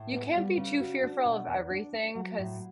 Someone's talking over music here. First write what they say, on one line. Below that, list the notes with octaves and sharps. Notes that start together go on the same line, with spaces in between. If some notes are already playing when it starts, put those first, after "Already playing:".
you can't be too fearful of everything 'cause,
Already playing: A2
B3
G3
C#3
F#4
D4
B2
E2
D4
A3
F#3
A2